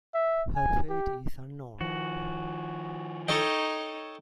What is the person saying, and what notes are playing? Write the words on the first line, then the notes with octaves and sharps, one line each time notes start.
Her fate is unknown.
E5
G#5
G4
D#3 F3 F#4
D#4 A4 C#5 D#5 G5